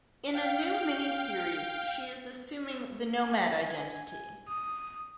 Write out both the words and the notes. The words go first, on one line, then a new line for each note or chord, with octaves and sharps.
In a new miniseries she is assuming the Nomad identity.
F5 G5
G#5
D#6